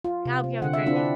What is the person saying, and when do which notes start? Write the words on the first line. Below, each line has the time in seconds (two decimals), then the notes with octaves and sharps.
I hope you have a great day.
0.05 F4
0.25 C3
0.44 C4
0.62 D3 F#5
0.73 E5
0.86 C4 D4 E4 F4